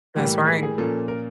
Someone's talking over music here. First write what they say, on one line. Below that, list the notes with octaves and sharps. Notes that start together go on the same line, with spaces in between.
That's right.
A2 E3 G3 A#3 G4
G#4
G#4
A#2 F3 A#3 C#4 A4
A#4